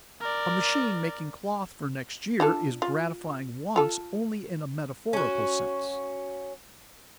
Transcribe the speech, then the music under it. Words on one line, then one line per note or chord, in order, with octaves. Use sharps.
A machine making cloth for next year is gratifying wants only in a metaphorical sense.
A#4 D5
D4 F4 A4
F4
F4 A4
C#4 F#4